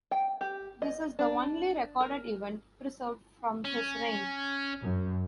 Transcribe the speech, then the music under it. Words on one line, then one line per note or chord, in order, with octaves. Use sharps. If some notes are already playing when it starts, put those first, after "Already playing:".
This is the only recorded event preserved from his reign.
G5
G4
D#5
D4
A#4
C#4
F#2